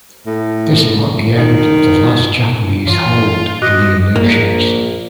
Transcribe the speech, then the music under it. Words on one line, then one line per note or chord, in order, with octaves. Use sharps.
This marked the end of the last Japanese hold in the Aleutians.
A2
D#3
E3 F4
F#4 D#5 F#6
A#1 A#3